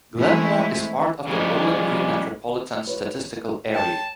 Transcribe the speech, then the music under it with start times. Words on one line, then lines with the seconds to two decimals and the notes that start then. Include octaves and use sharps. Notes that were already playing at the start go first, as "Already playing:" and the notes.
Glenmore is part of the Bowling Green Metropolitan Statistical Area.
0.17 E3 G#3 A3 C4 C#4 E4
1.27 C#3 F3 G3 G#3
2.87 B4 C#5
3.75 C#5 G5 A5